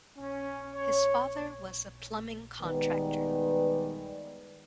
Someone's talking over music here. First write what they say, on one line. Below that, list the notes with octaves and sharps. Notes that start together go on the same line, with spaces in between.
His father was a plumbing contractor.
C#4
C#5
D#3 G3 G#3 B3 B4 D5